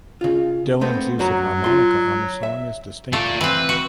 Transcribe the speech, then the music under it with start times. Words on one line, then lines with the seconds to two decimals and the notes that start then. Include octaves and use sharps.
Dylan's use of harmonica on the song is distinctive.
0.21 C#3 F4
0.81 A3 B3 C4
1.19 F#2 F#3 F#4 A#5
1.64 F4 C6
2.43 E5
3.13 A3 F4 D5
3.41 E3 C4 B4
3.69 F#4